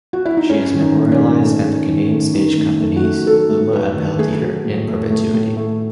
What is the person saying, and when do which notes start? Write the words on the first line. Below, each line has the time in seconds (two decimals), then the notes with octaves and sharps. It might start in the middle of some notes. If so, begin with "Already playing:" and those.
She is memorialized at The Canadian Stage Company's Bluma Appel Theatre in perpetuity.
0.13 F#4
0.25 E4
0.37 D#4
0.50 G#2 C#4
0.73 D#3
0.81 D#4
0.96 A3
1.12 C#4
1.19 G#2
1.42 A3 C#4
1.65 G#2
1.89 D#3
2.11 A3
2.34 D#3 D#4
2.58 A3
2.80 A3
2.96 F#4
3.03 A3
3.26 F#3 A4
3.49 A3
3.73 A3 B4
3.96 D#3
4.18 A3 G#4
4.42 F#3
4.65 A2
4.88 A2
5.10 A3
5.34 A2
5.57 A3